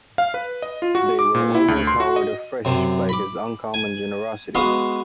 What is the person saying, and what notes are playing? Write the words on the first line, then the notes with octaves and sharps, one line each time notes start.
They were overpowered afresh by his uncommon generosity.
F5
B4
D#5
F4
F#4
D6
A#2
E4
D2
C6
F#4
D#5
F#2 C3
B5 D6
G#5
G#3 B3 F#4 F5